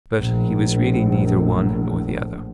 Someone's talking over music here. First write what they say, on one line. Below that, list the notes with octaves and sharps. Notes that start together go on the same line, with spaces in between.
But he was really neither one nor the other.
A#1 A2